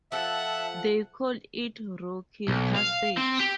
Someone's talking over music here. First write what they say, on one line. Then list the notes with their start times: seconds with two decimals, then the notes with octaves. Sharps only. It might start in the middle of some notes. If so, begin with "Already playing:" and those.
They called it "Rocky Passage".
0.12 F3 A4 E5 F#5
2.48 B1
2.76 F5
3.17 C4
3.40 G4